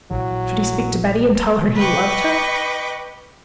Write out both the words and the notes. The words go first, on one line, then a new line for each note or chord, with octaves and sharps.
Should he speak to Betty and tell her he loved her?
A#1 E3 F#3
B4 D#5 G5 C#6 D6